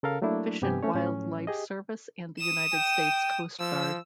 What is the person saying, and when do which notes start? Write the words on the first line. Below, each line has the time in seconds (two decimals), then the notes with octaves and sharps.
Fish and Wildlife Service and the United States Coast Guard.
0.03 C#3 A4 A#4 F5
0.22 F#3 A3 A#3 D4 E4
0.62 G2 C3 B3 G4 G#5
0.83 A3 C#4 C#5
0.95 A2 F3 F#3 C#4
1.47 G4 G#4 D#5
2.38 D#6 E7
2.73 G5
3.60 F3 E6